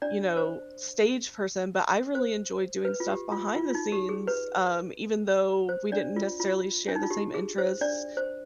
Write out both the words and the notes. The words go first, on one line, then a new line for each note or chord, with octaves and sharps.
you know, stage person, but I really enjoyed doing stuff behind the scenes, um, even though we didn't necessarily share the same interests,
D4 D5
C5
C5
B4
F4
G4
F4
F4
F4
D#4
G4
G#4
B4
C5
D4 D5
F4
F4
D4
D#4
F4
G4
G#4
C5
D4 D5
C5